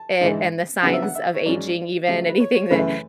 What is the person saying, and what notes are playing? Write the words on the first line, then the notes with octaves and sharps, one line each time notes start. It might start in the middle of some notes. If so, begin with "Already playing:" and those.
it and the signs of aging even, anything that,
Already playing: A5
G#2 E3 G#3 D4
C#3 F#3 B3 D4 F#5
E5
F#5
E5
C#5
G#2 F#3 C#4 D5
C#3 F#3 A3
B4
C#5
C#5
F#2 C#3 E3 A3 B4